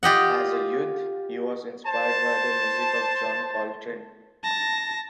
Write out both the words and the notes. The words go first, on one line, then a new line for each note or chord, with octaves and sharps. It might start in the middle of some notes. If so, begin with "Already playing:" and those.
As a youth he was inspired by the music of John Coltrane.
F4 G4 D#5 F#5
C5 A5
A5 A#6